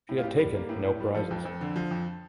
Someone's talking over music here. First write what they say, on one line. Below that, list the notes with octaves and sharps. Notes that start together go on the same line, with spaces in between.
She had taken no prizes.
A2
F4
A2 G4
G3
A#3
A2
A2
G3
F3 A4
F2
F2
D3
F3
F2